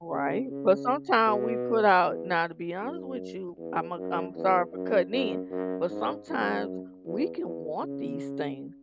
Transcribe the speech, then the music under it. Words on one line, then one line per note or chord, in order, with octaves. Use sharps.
Right, but sometimes we put out now to be honest with you, I'm a I'm sorry for cutting in, but sometimes we can want these things,
C#3
C#3
B2
E2
F#2
E2
F#2
E2
F#2
F#2
F#2
G#2
F#2
E2
E2
C#3